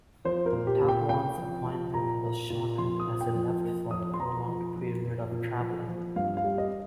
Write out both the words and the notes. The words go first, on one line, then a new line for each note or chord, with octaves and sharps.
Takuan's appointment was shortened as he left for a prolonged period of traveling.
F3 C5
A#4
A#2
G4
A#2
G5
C3 G5
F3
F3
A#2 A#5
A#3
A#2
F2 C6
D#6
F3
G5
F2
A#3
F2 D#6
C6
F2 A#5
F2
F2
F2
A#2
F3
F3
G2 F5
F5
G3
D#5